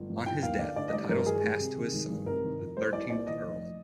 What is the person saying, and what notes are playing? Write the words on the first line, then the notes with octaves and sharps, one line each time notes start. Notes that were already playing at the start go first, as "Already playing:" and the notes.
On his death the titles passed to his son, the thirteenth Earl.
Already playing: G1
G2
F3 G5
D#2 F5
D3 D5
D3 D5
D#5
G3 D5
G2 A#4
D#3 G#4
G3
C3
D#3
G#1
G2
C3 A#4
D#3
F2
G3 C5
C2 D5
A#2 D5
D#3 D#5
F1